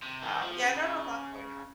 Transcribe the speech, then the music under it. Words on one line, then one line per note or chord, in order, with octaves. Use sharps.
um, yeah, I've got a lot going on.
C3
D#3
F3
C#3